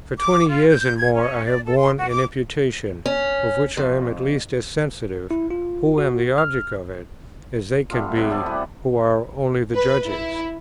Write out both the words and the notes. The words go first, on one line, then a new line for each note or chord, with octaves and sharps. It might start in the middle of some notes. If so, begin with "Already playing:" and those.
For twenty years and more I have borne an imputation, of which I am at least as sensitive, who am the object of it, as they can be, who are only the judges.
D6
F4
G6
G#6
C#4
D5
A4
C6
F#4
D6
C#4
F2
E4
F4
F#4
F6
G3 A3 B3 F4
C3 B3 C#5 F#5
G4 A4 D5 D#5
E3 G3 F#4 B4
B4
E4